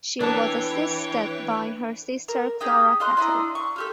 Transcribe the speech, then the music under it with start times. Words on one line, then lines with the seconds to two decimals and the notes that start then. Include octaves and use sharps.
She was assisted by her sister Clara Cattell.
0.20 E3 B3 D4 B4 C#5 G5 A5
2.28 A#4
2.61 D#4 G4 G#4
3.00 F4 D#5 C6 F#6
3.17 D4 E4 D#5 A#5
3.55 C#6
3.76 F4 G4 A4